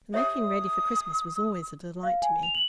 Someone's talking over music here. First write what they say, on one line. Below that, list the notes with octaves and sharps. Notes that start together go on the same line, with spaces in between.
The making ready for Christmas was always a delight to me.
G4 C#5 E5 D#6
F5
G#5
F7
F#7